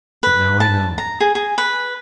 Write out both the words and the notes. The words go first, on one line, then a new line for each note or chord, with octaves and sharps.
But now I know.
B4
A5
A#5
G#4
G#4
B4